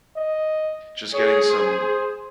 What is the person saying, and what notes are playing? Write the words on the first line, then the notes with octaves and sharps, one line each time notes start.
just getting some
D#5
G#4 C#5
C5